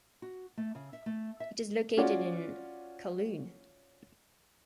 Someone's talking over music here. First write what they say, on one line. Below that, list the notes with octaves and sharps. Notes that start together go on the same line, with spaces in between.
It is located in Kowloon.
F#4
A3
C#3
E5
A3
E5
C#4 F4 F#4 D5